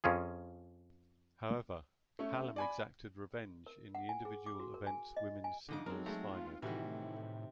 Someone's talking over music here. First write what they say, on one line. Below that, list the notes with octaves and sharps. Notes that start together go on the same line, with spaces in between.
However, Hallam exacted revenge in the individual events women's singles final.
F2 C#4 F4 G#4
A3 C#4
D5 G#5 B5
A#4
F#5
G#5
G#4
D6
F#4
A#4
G#5
D#5
G#5
F2 D3 D#4 D#5 D6
F#3 G#3 C4 A4 A#4
G#3 A3 A#5
F4
A2 C3 D#3 E3 G3 F#4